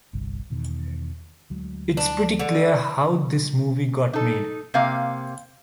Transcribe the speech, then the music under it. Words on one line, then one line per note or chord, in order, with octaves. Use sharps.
It's pretty clear how this movie got made.
G1 C2 G2
E2 B2 D#3
D2 F#3 G#3
D4
D3
D#4 A4
C3 A#3 F5